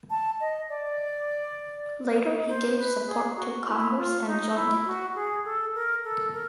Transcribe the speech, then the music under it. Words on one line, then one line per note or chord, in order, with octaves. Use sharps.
Later he gave support to Congress and joined it.
A5
D#5
D5
C5
B4
G#4
F#4
E4
F4
D#4
E4
F#4
G#4
A4
A#4
A4
A#4